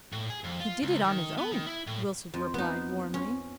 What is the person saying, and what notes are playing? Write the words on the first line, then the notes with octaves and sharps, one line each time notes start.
"He did it on his own," Wilson replied warmly.
A2
G#4
F2
F4
C#2
D#3
B3
D#3
E4
A2
F2
B3 D#4
C#4